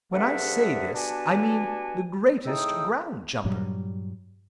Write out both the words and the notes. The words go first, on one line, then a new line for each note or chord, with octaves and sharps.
When I say this, I mean the greatest ground jumper.
G2 C3 G#4 A4 E5 F#5
B3 D4 F#4 G4 G#5 A5
A2 D#4 G#4 G5 D#6 E6
G2 A#2 F#3 G3